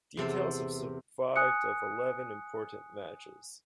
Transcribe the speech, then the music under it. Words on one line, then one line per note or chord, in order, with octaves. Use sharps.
Details have survived of eleven important matches.
E2 C3 A4 C5
G#5 D#6 F#6 C#7